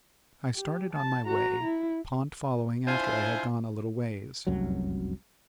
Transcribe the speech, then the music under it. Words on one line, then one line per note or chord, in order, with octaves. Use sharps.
I started on my way, Pont following after I had gone a little ways.
G4
A5
F#4 A#5
E4
D4 E4 F4 C5 G#5
F1 C2 F#2 F#3